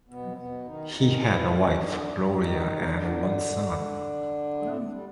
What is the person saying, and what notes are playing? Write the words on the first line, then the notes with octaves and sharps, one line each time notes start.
He had a wife, Gloria, and one son.
B2 B3
C4
B2 B3
D#3 D#4
D#3 D#4
E3 E4
C#4
D3 D4
D#3 D#4
D3 D4
A2 A3
G3